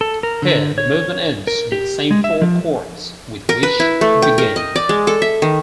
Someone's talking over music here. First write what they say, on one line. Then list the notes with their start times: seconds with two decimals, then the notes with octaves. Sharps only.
Here, the movement ends with the same four chords with which it began.
0.01 A4
0.23 A#4
0.42 D3
0.78 C#5
1.47 A#4
1.72 G4
2.11 G#3
2.24 E5
2.42 F3
3.49 A#4
3.63 B4
3.80 E4
4.01 A3
4.22 G5
4.38 A#4
4.56 D#5
4.76 D5
4.89 G#3
5.07 A4
5.22 E5
5.42 D#3